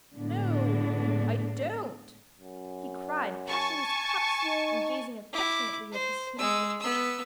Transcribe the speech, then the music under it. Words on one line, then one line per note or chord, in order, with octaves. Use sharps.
'No, I don't,' he cried, flashing his cuffs and gazing affectionately at his sleeve-links.
A2 D3 G#3 B3 D4
F#2
G#5 A5 C#6
D#4
E4 D6
C5
G#3 E6
B3 E6